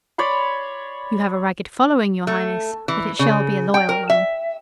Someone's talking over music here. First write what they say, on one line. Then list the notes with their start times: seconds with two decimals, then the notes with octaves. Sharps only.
You have a ragged following, your highness, but it shall be a loyal one.
0.18 C#5 D5 B5 C6
2.27 A3
2.88 E3
3.19 C#3
3.74 G5
3.89 A#4
4.10 E5